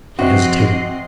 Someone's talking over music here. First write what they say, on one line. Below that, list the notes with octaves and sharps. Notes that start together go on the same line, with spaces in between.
He hesitated.
C3 F3 C4 F#4 C5 D#5 C7